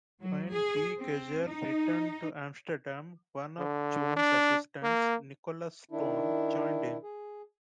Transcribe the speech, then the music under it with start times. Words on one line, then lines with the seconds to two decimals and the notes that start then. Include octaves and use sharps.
When De Keyser returned to Amsterdam one of Jones' assistants, Nicholas Stone, joined him.
0.19 F#3
0.49 G#4
0.98 C4
1.46 D#4
3.59 D3
4.17 D4
4.83 A#3
5.91 D#3 D4 E4
7.03 G#4